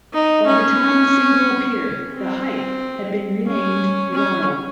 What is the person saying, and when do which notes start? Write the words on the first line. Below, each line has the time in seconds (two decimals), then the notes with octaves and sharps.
By the time a single appeared, The Hype had been renamed Ronno.
0.13 D#4
0.47 C#4
2.13 C4
3.47 C#4
4.14 C#4